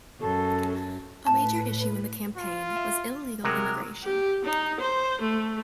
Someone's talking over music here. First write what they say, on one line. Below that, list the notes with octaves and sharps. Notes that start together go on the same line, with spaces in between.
A major issue in the campaign was illegal immigration.
F#2 A4
A2 B4 A5
F4
E5
C3 F#3 G#3 A#4
G4
D#4
C5
A3